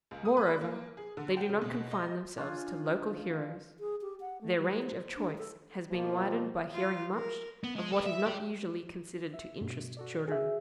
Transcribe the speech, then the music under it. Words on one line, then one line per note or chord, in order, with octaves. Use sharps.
Moreover, they do not confine themselves to local heroes; their range of choice has been widened by hearing much of what is not usually considered to interest children.
C#2
D#6
B4
A#3
G#4
D3
G5
C#3
B2
D#5
C#4 D4 F4 G#5
G#4
G4
F#5
A3
G3
C5
D4
A4
B2 F3 A#3 F4
F4
A#4
B3
G#3
A4 B4
E5
G4 D5
E5
G2 B2
F#4 A4 D5
G#4 E5